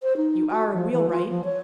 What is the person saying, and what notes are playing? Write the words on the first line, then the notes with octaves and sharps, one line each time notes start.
"You are a wheelwright?"
C5
D#4
F#4
F3
E3
F4
F3
C#5